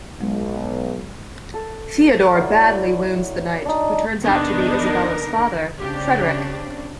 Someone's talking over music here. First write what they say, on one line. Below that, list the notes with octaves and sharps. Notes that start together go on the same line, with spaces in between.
Theodore badly wounds the knight, who turns out to be Isabella's father, Frederic.
B1 G#3
A4
F#3 E4 D5
D4 D#4
E2 C3 D#3 B3 D4 D#4
D3 A#4
C#3 C4 D4 G4